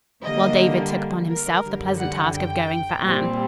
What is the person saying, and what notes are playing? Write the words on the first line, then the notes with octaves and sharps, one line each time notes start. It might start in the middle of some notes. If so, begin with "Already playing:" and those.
While David took upon himself the pleasant task of going for Anne.
D3 G3 A#3 D#5
A#4
F#2 D3 G3
F#5
G5
A#2 G3 C4